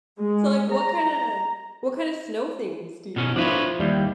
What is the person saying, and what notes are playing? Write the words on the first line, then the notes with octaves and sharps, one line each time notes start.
So, like, what kinda what kinda snow things do you do?
G#3
A#5
B2 C#4
F3 D4 E4 F4 B4 C#5
D#2 G3 E4